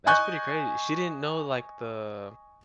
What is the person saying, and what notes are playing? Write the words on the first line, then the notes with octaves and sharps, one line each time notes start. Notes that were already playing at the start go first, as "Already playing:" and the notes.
That's pretty crazy. She didn't know, like, the
D#5 G#5 C#6 F#6 G6